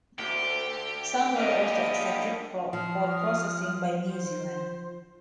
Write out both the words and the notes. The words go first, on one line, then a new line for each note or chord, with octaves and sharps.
Some were also accepted for processing by New Zealand.
D2 G4
A#3 D4 D#5
F3 D#6 F6
C5